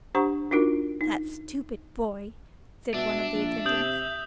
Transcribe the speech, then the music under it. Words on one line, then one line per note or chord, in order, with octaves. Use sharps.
"That stupid boy," said one of the attendants.
D4 G4 C5 F#5 A#5 C#6
D4 D#4 F4 F#4 A#4
D#4
B2 D4 E5
A#1 E5
C3 D#6 G6 F#7